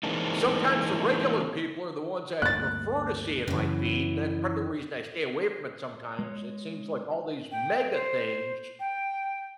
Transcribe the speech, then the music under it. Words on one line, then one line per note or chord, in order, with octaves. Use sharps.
sometimes the regular people are the ones I'd prefer to see in my feed- that's part of the reason I stay away from it sometimes- it seems like all these mega things
E3 G#3 A#3 C4 D4 D#4
D2 G2 A#3 F#6 A6
F#2 C#3 E3
G#3 C#5
G5
C5
G5